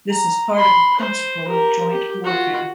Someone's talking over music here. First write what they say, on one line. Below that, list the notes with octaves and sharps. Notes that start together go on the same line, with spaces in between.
This is part of the principle of joint warfare.
A#5
B5 C6
C5
G4 A#4
G4
F4 F#4